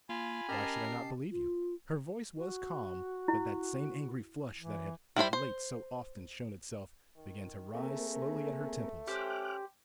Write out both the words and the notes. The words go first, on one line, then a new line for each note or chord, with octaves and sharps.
"Why should I not believe you?" Her voice was calm, but that same angry flush that had of late so often shown itself began to rise slowly at her temples.
A#3 F4 G#5 B5
C#4 G4 A#4 D#5 A5 C7
F4
F#4
E4
E3
G3 E4 C5 B5
C5
D#3
A3 A#3 C4 G#4 A#4
C#4 G4 C5 D6 F6 F#6